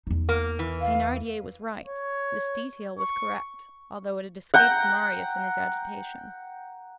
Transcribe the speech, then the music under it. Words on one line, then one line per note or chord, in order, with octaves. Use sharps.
Thenardier was right, this detail was correct, although it had escaped Marius in his agitation.
E2 D#4
A#3
E3
F5
C#5
C#6
F#5 G5 A#5